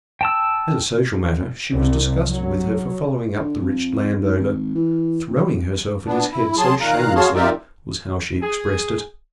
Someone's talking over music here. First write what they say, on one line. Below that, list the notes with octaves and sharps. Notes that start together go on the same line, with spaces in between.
As a social matter, she was disgusted with her for following up the rich landowner--"throwing herself at his head so shamelessly," was how she expressed it.
G5 A5 E6
C2
F#3
D3
F2
G#2
G#1
E3
D1
B3 D4
E4
F#3 G#4 A5 C6
A#2 D#3 F5 A#5 F#6
F#4 G#4 C#5 F5 A5 C6
D#4 F4 G4 A#4 D5 E5
G#4